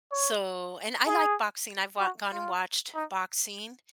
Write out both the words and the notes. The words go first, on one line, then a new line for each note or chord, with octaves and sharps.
So, and I like boxing, I've wa gone and watched boxing,
C#5
G#4
F#4
F4
D#4